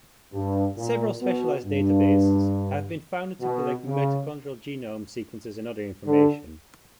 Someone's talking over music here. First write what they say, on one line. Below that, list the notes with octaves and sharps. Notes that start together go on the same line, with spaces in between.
Several specialized databases have been founded to collect mitochondrial genome sequences and other information.
G2
A#2
B2
G2
B2
C#3
D3